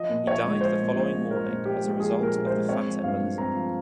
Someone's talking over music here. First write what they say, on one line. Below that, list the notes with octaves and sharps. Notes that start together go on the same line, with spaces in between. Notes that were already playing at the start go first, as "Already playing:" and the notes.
He died the following morning as a result of the fat embolism.
Already playing: F3 D#5
A#2
A#1 C#5
G#3
F3 C5
A#2
A#1 C5
G#3
F3 A#4
A#2
A#1 G4
G#3
F3 G#4
A#2
A#4
A#1
C5
G#3
C4 C#5
F3
G2 F5
G2
C4 A#5
F3